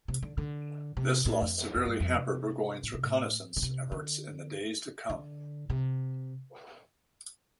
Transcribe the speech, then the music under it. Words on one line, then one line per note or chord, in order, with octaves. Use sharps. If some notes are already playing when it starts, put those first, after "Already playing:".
This loss severely hampered Burgoyne's reconnaissance efforts in the days to come.
C3
D3
D3
C3
A2
F2
F2
G2
F2
C3
A2
C3
A2
D3
C3
D3
D3
C3